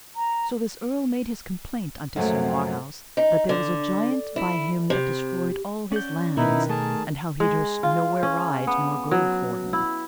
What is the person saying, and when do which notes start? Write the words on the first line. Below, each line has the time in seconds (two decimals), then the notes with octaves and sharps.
So this earl made his complaint unto Sir Marhaus, that there was a giant by him that destroyed all his lands, and how he durst nowhere ride nor go for him.
0.16 A#5
2.16 F#2 A#2 F3 F#3 G#3 A3
3.17 D#4
3.49 D3
4.36 E4
4.90 C3
5.92 C#4 D5 F#5 G6
6.37 B2 D#3 D#4 E4 B4
6.70 A3 G#4 A#4 A5
7.40 G#3
7.83 F4
8.23 C#4
8.67 B3
9.11 F#3
9.73 E4